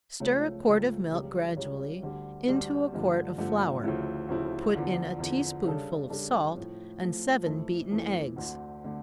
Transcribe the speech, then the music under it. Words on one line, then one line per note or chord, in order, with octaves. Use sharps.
Stir a quart of milk gradually into a quart of flour--put in a tea-spoonful of salt, and seven beaten eggs.
C#2 C#3 F3 A3 C#4
C#2 C#3 F3 A3 C#4
C#2 C#3 G3 C#4
C#2 C#3 G3 C#4
D2 D3 G3
D2 D3 G3
G2 D3 F3 A3
G2 D3 F3 A3
D2 C#3 F3 A3 E4
D2 C#3 F3 A3 E4
E2 D3 F3
E2 D3 F3
C#3 G3 D4 A4
C#3 G3 D4 A4
A2 F3 A3
A2 F3 A3
F2 E3 A3 E4 A4
F2 E3 A3 E4 A4
D2 D3 A3
D3 A3